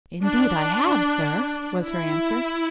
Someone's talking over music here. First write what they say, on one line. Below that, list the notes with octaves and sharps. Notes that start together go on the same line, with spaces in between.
"Indeed I have, sir," was her answer.
D4
E4